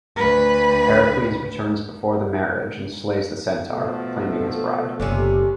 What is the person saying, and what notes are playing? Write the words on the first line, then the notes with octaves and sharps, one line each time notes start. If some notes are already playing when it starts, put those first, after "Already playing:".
Heracles returns before the marriage and slays the centaur, claiming his bride.
D2 B4
B2 F3 A3 A4
F#1 C3 C#4 D4